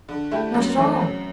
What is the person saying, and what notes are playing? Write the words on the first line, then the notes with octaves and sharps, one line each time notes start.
Not at all.
D3
A3 E4 G4
F#2
E3 A3 C4
F#2